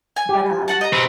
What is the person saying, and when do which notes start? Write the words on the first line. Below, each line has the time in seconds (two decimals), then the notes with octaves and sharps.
but I
0.16 G#5
0.29 G4
0.68 F#4 F#5 A5
0.81 D#5 A#5
0.93 B2 C4